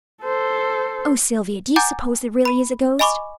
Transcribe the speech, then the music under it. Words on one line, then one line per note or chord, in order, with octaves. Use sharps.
"Oh, Sylvia, do you suppose there really is a ghost?"
A4 C5
F#5 G#5 A#5 D6 G6 A6
B5 D#7
D#5 G#5 B5 C#6 D6